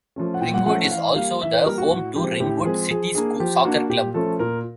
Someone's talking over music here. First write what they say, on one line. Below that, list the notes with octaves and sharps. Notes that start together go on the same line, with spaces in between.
Ringwood is also the home to Ringwood City Soccer Club.
F3 A3 C#4
F#5
A#2 G5
F#5
F3 A3 C#4 F#5
F#5
E3 F5
G3 A#3 F5
E3 E5
B4
G3 A#3 A#4
F#4
A2 F#4
F3 G#3 C4 G4
A2 G4
F3 G#3 C4 G#4
F3 G#4
A#3 D4 G#4
F3 G4
A#3 D4 F#4
A#2 G4
F3 A3 C#4 A4
A#2 A#4